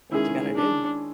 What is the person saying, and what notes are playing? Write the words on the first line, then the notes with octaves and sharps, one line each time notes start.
What you gonna do?
D#3 G#3 C#4 E4 G#4
D4